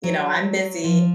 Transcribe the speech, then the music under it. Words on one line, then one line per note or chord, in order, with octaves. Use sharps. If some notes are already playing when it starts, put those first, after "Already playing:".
you know, I'm busy
F#3
F3